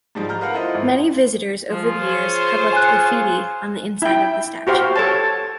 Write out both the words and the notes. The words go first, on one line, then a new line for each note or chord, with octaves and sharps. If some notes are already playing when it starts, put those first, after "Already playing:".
Many visitors over the years have left graffiti on the inside of the statue.
G#2 F3 G3 G#3 D#4
A#5 F6 G6
A#4 B4 F5 F#5 A#5
E4 F4 A4 C5 D#5
G#1
F3 F4 G#4
C5 C#5
G#5 F#6
E4 G5
F#4 G4 C5 F5
A4 C#5 A5